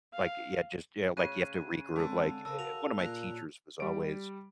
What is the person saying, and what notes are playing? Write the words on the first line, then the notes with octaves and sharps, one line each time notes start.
Like, yeah, just yeah, like, you have to regroup, like, e e One of my teachers was always
F5
C#3 G#5 F#6 D#7
D3 G#3 C4 A4
C#3 A#4 F5 A5 E6
F#4 F7
A#2 A#5 F#6
G3 D7